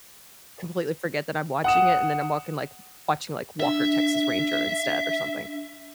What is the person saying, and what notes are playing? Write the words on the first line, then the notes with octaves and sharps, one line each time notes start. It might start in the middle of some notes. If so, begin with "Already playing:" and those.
completely forget that I'm watching it and then I'm walking like watching like Walker, Texas Ranger instead or something,
F#5 D#6 E7
D4 E5